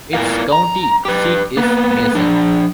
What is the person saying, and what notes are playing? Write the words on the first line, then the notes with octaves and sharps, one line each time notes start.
Its county seat is Mason.
B3 E4 F4 A#4 F5
A#5
G4 B4
A#3 B3
F3 D4